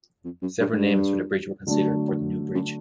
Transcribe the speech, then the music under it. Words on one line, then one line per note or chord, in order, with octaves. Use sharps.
Several names for the bridge were considered for the new bridge.
F2
F#2
G2
G#2
G2
D3 F#3 A3 D4
F#2